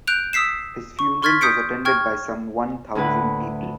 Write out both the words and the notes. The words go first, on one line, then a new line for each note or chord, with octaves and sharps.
His funeral was attended by some one thousand people.
F#6 G6 D7 F7
D#6 E6 B6 C7 E7
C#6
C6 C#6 F6 G#6 A6 B6
D#6 G6 B6 C#7 D7
G5 C#6 F6 G#6
D2 A2 D4 B4 F#5